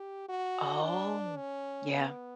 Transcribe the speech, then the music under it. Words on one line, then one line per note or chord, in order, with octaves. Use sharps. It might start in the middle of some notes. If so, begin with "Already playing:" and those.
Oh yeah,
Already playing: G4
F#4
D4
C#4
B3